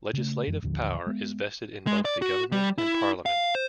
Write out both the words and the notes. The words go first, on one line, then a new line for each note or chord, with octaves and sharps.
Legislative power is vested in both the government and parliament.
C#3 A3
F#2 E3 G#3
A1 D#2 D3 F3
G#3 B3
G#3
D5
F#4
G3
E4
F5
C5